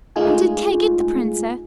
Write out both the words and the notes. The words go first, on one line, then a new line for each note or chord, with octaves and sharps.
"And did Kay get the Princess?"
G#3 A3 D#4 F4 G#4 G#5